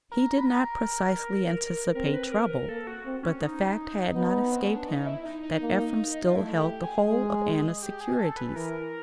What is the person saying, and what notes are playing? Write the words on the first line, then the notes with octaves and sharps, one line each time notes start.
He did not precisely anticipate trouble, but the fact had not escaped him that Ephraim still held the whole of Anna's securities.
A#4
A#4
B4
A#4
C4 A#4
B4
A#4
A#4
A#3 A4
F#4
C4
C#4
D#4
B3
C4
C#4
D4
D#4
E4
D#4
D#4
A#3
F4
A3 E4
G4
G#4
G#3
G4
G#4
A4
B4
B4
E3 A#4